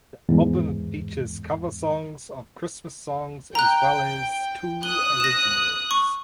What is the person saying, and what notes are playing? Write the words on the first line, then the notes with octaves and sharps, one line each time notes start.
The album features cover songs of Christmas songs as well as two originals.
E2 G#2
G5 A#5 F#6
D#6 F#6 G7
A#6 E7
C#6